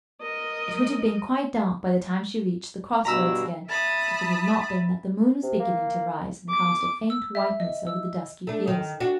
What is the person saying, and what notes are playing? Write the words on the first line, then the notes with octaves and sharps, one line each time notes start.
It would have been quite dark by the time she reached the cross-roads again, if it had not been that the moon was beginning to rise, and cast a faint whiteness over the dusky fields.
A#4 D#5
G2 B2 A#5 B5 E6
E5 A5 B5 D#6
C3
A#3
D6
E6
E5
D#5
E6
A3 D4
D#3
D4 F#4